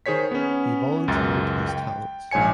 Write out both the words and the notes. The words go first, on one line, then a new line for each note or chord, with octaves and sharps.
He volunteered his talents.
D#3 G#4 C5 C#5 B6
B3 C#4
C#2 F#2 A6
G5
A#1 G#2 C#5 G#5 C#7